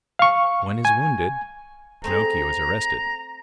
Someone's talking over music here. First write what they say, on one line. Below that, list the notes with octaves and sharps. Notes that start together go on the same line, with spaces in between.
One is wounded. Pinocchio is arrested.
F5 C#6
G#5
A3 C4 G#4 A#5